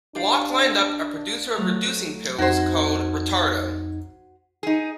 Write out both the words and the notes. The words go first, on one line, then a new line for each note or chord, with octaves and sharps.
Block lined up a producer of reducing pills called "Retardo".
D4 G4 D5 F5
F#3 A3 A#5
F2 D#4 F#4 C5 G#6
D#4 G#4